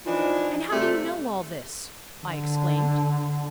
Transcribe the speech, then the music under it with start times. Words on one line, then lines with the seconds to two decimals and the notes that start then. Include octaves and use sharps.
"And how do you know all this?" I exclaimed.
0.05 E3 F3 D4 D#4 F4
0.71 C3 G3 A3
2.24 D3